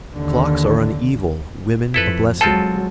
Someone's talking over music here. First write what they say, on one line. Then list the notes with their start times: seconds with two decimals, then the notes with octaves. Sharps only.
Clocks are an evil, women a blessing.
0.14 D#2 D3
1.94 F2 E4 A4 B4
2.41 F#3 G#3 C4 F4 A4 A5